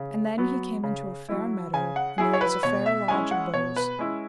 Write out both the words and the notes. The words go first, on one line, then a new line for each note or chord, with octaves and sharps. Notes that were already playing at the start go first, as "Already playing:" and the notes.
And then he came into a fair meadow, and there was a fair lodge of boughs.
Already playing: C#3
F#3 B3
C#3
F#3 E4
C#3 G#5
F#5
F#3 E4 G#4
C#5
B4
B2 C#5
E5
G#3 C#4 E4 G#5
F#5
B2 C#5
B4
G#3 C#4 E4